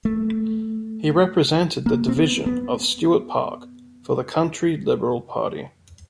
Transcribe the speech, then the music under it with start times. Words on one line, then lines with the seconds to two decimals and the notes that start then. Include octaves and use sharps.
He represented the division of Stuart Park for the Country Liberal Party.
0.05 A3
1.86 A#3
2.08 C4
2.17 B3
2.46 B3